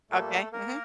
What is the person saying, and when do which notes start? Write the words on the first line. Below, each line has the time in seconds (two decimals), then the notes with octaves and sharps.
Okay, mhm.
0.10 A#2 G3 A3 A#3 A4
0.52 A#3 A#4